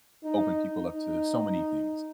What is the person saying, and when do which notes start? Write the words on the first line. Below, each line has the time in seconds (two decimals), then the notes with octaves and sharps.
open people up to so many things.
0.24 D#4
0.80 D#4